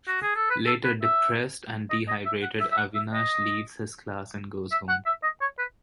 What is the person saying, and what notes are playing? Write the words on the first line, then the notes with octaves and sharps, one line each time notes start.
Later depressed and dehydrated Avinash leaves his class and goes home.
F#4
G#4
A4
B4
A4
B4
E5
D#5
D#5
E5
F#5
E5
E5
F#5
E5
D#5
E5
F#5
E5
D#5
C#5
B4